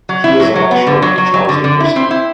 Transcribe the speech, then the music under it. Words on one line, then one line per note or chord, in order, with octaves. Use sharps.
He is a lecturer at Charles University.
F#3
E4
F#3
F#3
B3
D3
F#3
F#3
F#3
D3
D3
E4
C4
E4